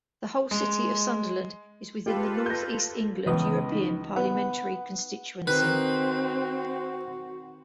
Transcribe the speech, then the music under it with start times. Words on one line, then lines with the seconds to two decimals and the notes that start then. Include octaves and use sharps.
The whole City of Sunderland is within the North East England European Parliamentary constituency.
0.51 G#3
2.06 F4 G4 A4 B4
2.46 G6 A#6
3.26 C#2 E3 B3 D#5 D#6
3.72 D#4
4.16 B3 F#5
5.47 D#3 C4 F#4 B4